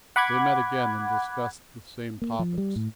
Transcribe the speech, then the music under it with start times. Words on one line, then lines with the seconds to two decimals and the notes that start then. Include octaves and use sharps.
They met again and discussed the same topics.
0.16 F#5 B5 D6 F#6 G#6
2.22 A#3
2.39 F3
2.58 G3
2.76 A2